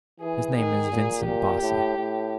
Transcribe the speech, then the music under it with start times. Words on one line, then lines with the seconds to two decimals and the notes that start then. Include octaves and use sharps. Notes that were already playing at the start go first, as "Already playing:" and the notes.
His name is Vincent Bosse.
0.20 E3 G#4
0.55 D#3 G#4
0.91 A#2
1.26 A#2 G4
1.61 A2
1.97 A2